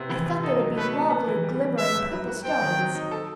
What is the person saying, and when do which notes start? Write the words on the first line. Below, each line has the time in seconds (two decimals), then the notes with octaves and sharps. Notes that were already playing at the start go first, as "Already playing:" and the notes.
I thought they would be lovely glimmering purple stones.
Already playing: C3 B3 E4
0.09 E3
0.26 C3
0.43 D#4 A4
0.60 F#3
0.77 A3 B4
0.93 A4
1.10 B3
1.28 E3
1.44 G3
1.60 E3
1.77 B3 E5
1.95 G2
2.12 F#3
2.27 F#4
2.44 C4 G5
2.61 D#3
2.79 F#3
2.95 D#4
3.11 A4